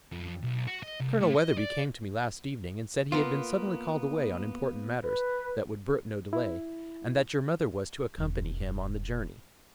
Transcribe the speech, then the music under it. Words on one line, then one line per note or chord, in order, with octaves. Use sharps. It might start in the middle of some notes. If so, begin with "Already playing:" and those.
Colonel Weatherby came to me last evening and said he had been suddenly called away on important matters that would brook no delay, and that your mother was to accompany him on the journey.
F2
B1
F#4
D#5
C2
A2
D#5
D5
A#3 B3 F4
B4
E4
E1 C#3